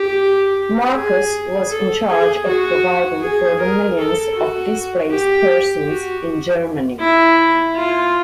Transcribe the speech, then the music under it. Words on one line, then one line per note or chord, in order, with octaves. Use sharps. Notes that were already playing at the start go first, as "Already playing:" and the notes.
Marcus was in charge of providing for the millions of displaced persons in Germany.
Already playing: G4
G#4
A4
G#4
F#4
G#4
A#4
A4
F#4
G4
F#4
E4
F4